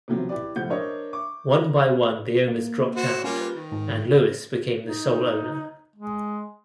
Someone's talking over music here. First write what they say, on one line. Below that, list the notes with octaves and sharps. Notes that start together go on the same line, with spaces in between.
One by one the owners dropped out and Louis became the sole owner.
C3 D#3 F3 F#3 B3 C4
E4 G4 B4 D5
C#2 A2 F3 F#5 G6
D4 A#4 C5 C#5 D#5 E5
C#6 D6
A#5
A#3
F#4 C5
G3 A#3 C#4 F4
B4
D#3
G#2
D#4
G#3